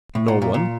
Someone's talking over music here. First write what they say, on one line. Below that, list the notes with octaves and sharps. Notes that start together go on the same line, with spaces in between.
"No one."
A2
A#2
A#2
A#2